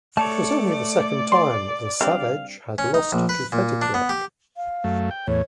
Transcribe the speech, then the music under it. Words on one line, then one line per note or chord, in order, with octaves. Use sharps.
It was only the second time that Sauvage had lost to Petitclerc.
A3 A4 C#5 D5 A5
D5
C6
G3 C4 D4 F5
C#4
D#4
A#1
B4
A#2
D4
B3
G4
F5
F#2 A3
G5
E2 A2 C#5